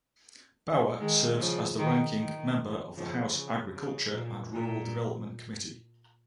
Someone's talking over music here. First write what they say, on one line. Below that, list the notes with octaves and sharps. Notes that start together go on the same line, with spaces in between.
Bauer serves as the ranking member of the House Agriculture and Rural Development Committee.
D#3 G#3
C#3 F3
D#3
D#3
C#3 F3
C#3
C#3
A#2
A#2